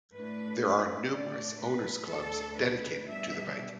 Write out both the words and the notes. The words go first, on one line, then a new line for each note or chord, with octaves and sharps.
There are numerous owners clubs dedicated to the bike.
A2 A3 D4 B4
A2 A3 D4 D5
B4
D2 D3 A3 D4 A4
B4
B2 G3 D4 E5